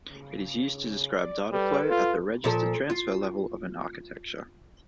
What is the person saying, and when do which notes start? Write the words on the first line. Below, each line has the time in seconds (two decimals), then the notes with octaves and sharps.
It is used to describe data flow at the register-transfer level of an architecture.
0.11 C#3
1.14 D5
1.52 G3 A4 B4
1.90 F4
2.44 A#2 F3 A4
2.90 F4